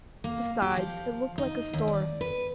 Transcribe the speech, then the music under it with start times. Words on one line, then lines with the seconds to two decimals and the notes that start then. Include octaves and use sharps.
Besides, it looked like a storm.
0.24 A#3
0.62 G4
0.77 F3
1.38 D#4
1.73 D#2
1.88 D5
2.21 B4